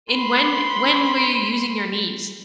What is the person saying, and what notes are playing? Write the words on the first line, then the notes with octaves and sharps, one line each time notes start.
in when when were you using your knees?
B5 C6